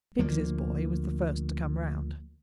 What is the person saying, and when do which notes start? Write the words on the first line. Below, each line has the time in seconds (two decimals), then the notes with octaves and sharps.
Biggs's boy was the first to come round.
0.19 D2 F3 A#3